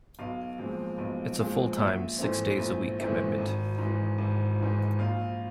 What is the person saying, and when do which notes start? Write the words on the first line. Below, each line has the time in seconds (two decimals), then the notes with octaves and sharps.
It is a full-time, six- days-a-week commitment.
0.19 B1 F5
0.58 A#2 F3 G#3 C4
0.98 B1
1.39 A#2 F3 G#3 C4
1.78 A#1 E5
2.19 G#2 E3 A3 C4
2.58 A#1
2.98 G#2 E3 A3 C4
3.38 G#1
3.78 G#2 E3
4.18 G#1
4.59 G#2 E3
4.99 A#1 F5